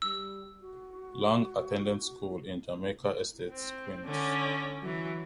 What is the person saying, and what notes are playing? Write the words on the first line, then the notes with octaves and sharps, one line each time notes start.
Lang attended school in Jamaica Estates, Queens.
G3 E6
F#4
C4
D3 C#4
E3 F#3